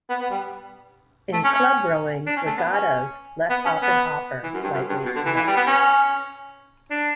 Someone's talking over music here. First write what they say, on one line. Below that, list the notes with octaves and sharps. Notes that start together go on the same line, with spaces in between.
In club rowing, regattas less often offer lightweight events.
B3
B3
G3
A3
C#4
C#4
D4
C#4
A3
B3
C#4
B3
C#4
B3
E3
F#2
G2
F#2
G2
B2
D3
E3
E3
G3
B3
C#4
D4